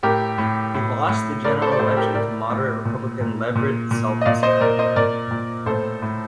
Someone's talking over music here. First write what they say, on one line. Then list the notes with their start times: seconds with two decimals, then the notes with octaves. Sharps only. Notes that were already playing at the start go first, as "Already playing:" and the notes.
He lost the general election to moderate Republican Leverett Saltonstall.
0.03 A2 G4 A#4
0.38 A2
0.74 A2
1.09 A2
1.44 A2 A#4 D5
1.61 A4 C5
1.72 D5
1.79 A2 A4 C5
1.91 A4
1.97 G4 A#4
2.14 A2 A#4 D5
2.50 A2
2.85 A#2
3.21 A#2
3.55 A#2
3.91 A#2
4.21 D#5
4.25 A#2 D5 F5
4.43 C5 D#5
4.60 A#2 A#4 D5
4.79 C5 D#5
4.96 A#2 A#4 D5
5.31 A#2
5.66 A2 A4 C5
6.02 A2